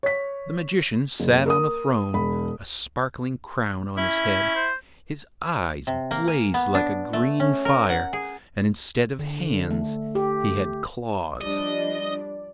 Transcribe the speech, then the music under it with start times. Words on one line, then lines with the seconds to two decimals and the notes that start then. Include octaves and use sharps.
The Magician sat on a throne, a sparkling crown on his head; his eyes blazed like a green fire, and instead of hands he had claws.
0.03 C#5 B6
1.20 F#1
1.46 A#4 D#6
2.14 E1 B5
3.97 C#4 E4
4.55 C5
5.87 C3
6.11 A#3
6.28 G#5
6.54 B3
6.75 D4
7.13 A3
7.40 C#4
7.65 A#4
7.90 F#5
8.13 G#4
9.19 D3
9.71 A3
10.15 G4
11.41 F3 G3 D4 D5 D#5